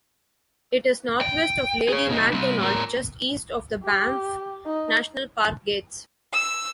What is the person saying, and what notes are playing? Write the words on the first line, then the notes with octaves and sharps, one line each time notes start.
It is northwest of Lady Macdonald, just east of the Banff National Park gates.
G5
G#4 C#5
B2 D#4
G3 C4
A2 A#4
G4
D#4
E6